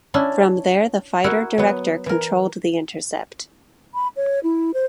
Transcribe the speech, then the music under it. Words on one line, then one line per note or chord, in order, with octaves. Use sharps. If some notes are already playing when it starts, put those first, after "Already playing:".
From there the fighter director controlled the intercept.
C#4 D4 E4
E4 F#4 A#4
F#3 B3
E3 A#4
B5
C#5
E4
C5